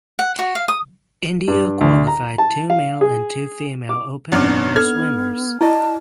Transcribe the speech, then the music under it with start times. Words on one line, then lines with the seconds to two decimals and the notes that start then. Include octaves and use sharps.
India qualified two male and two female open water swimmers.
0.19 F#5
0.39 F#4
0.55 F5
0.68 D#6
1.48 G2
1.81 D2
2.07 A#5
2.38 A5
2.70 F5
3.01 G#4
3.89 D6
4.32 G#1 F#2 B3 D4 D#4 F#4 F6
4.76 A4 F6 G#6
5.61 E4 F#4 D5 D#5 A5